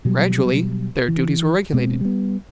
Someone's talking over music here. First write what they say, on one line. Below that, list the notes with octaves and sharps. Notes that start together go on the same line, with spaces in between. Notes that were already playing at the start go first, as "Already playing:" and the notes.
"GRADUALLY their duties were regulated."
B2 F#3 G3
E3
B2 G#3 C4
G3 B3